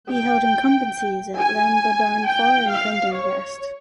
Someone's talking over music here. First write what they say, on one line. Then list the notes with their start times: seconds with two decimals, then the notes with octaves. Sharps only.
He held incumbencies at Llanbadarn Fawr and Prendergast.
0.10 G5
1.40 G#5
2.27 G5
2.70 F5
3.14 C#5